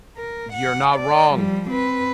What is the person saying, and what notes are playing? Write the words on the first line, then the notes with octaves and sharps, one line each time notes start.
You're not wrong.
A#4
F#5
D5
F3 G3
C4 B4